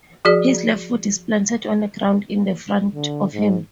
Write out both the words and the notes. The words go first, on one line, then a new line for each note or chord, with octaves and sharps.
His left foot is planted on the ground in front of him.
F3 F#4 G#4 D5
D3
G#2